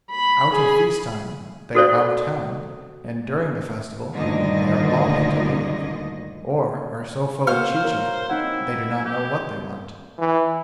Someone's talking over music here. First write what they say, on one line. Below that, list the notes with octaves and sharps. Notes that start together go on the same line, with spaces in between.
Out of feast-time they are out of town, and during the festival they are loth to leave, or are so full of chicha they do not know what they want.
B5
G#4
F#4 A4 C5 D5
D2 G2 A#2 D3 D#3 D#5
A#3 F#4 C5 C#5 F5 F6
A#4
C4 D#4 E4 F#5
G4
E3